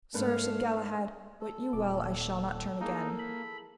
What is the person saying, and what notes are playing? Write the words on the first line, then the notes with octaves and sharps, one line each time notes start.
Sir, said Galahad, wit you well I shall not turn again.
G#2 A3 A#3 D4 B4 F5
A4
D#1 A#2 D6
A#3 D#4 E4 G#4 A#4
B5